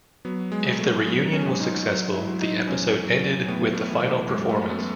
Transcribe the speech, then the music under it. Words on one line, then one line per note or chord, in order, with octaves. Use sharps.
If the reunion was successful, the episode ended with the final performance.
F#3 B3
G#3
F#3
A3
F#3 B3
C#4
G#2
D#4
F#3
E4
F#3
D#4
E2 C#4
F#3
A2 B3
A3
E3
A3
F#2 G#3
A3
F#2 B3